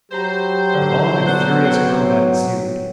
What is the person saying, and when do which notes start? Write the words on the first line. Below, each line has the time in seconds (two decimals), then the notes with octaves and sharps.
A long and furious combat ensued.
0.12 F#3 G4 C5 A#5 B5
0.74 D3
1.26 B3 D5 F#5 F#6
1.65 C#5 F#5 G5